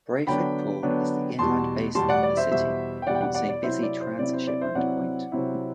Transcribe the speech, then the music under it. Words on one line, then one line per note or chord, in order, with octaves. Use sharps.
Brayford Pool is the inland basin in the city, once a busy transhipment point.
D3 F#3 B3 D4 G5 B5
D3 F#3 B3 D4
E2 B2 G3 A5 C6
E2 B2 G3 A5 C6
D5 F#5
D5
C5 E5
E2 B2 G3 C5 E5
G5
E2 B2 G3 D5 F#5
G5
D5 F#5
D5 F#5
D5
C3 F#3 C4 E4 C5 E5
D5
C5
C3 F#3 C4 E4 D5
C5
D5
C5 E5
C3 F#3 C4 E4 D5 F#5
C3 F#3 C4 E4